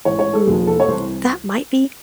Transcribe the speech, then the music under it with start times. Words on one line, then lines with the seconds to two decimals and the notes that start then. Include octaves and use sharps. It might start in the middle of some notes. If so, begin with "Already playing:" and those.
Mm, that might be
0.05 A1 G#2 E3 C#5
0.19 C#5
0.33 A4
0.47 E1 D#2 D#3 G#4
0.67 A4
0.80 C#5
0.88 C2 C3 E3 C5